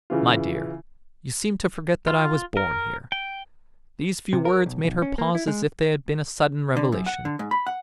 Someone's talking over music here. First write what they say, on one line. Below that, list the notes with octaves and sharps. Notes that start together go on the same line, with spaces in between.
"My dear, you seem to forget that I was born here." These few words made her pause as if they had been a sudden revelation.
C#3 E3 F4
F4
A#4
G5
C3
A#4
B1
B1
C#4
A#3
E4
G#3
D3
F#2
F#5
D3
G#2
B5
F#5